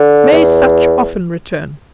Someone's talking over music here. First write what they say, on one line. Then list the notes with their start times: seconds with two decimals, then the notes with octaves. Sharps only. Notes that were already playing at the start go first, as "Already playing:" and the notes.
May such often return.
Already playing: D3
0.32 E2